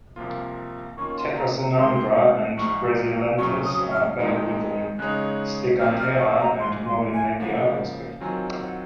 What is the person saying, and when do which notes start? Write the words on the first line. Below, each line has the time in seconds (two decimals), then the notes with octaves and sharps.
"Tetrasynandra" and "Grazielanthus" are embedded within "Steganthera" and "Mollinedia", respectively.
0.16 C2 C3 F3 A#3 F4
0.97 D#3 A#3 C#4 F4 C#6
1.17 C6
1.37 A#5
1.58 A#5
1.78 D#3 G#3 C4 C6
2.57 A#1 G#2 F3 C#6
3.38 F2 C#3 F#3 C#4 C#6
3.65 D#6
3.92 F6
4.19 F2 D#3 G#3 D#4
4.99 C#3 G#3 D#4 G#4 C#5 F#6
5.80 A#1 A#2 F3 C4 F6
5.99 F6
6.20 C#6
6.40 A#5
6.60 G#1 G#2 F3 C6
6.86 C6
7.14 G#5
7.40 C#3 F3 A#3 F#5
8.21 D#3 F#3 C4 F4 G#5
8.61 F#5